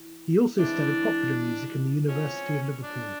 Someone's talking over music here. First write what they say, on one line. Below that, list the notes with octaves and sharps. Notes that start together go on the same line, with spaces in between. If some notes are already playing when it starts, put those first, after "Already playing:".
He also studied popular music in the University of Liverpool.
Already playing: E3
E3 G#3 C4 D4 D5
F3 G#3 C4 C#4 C#5
D4 D5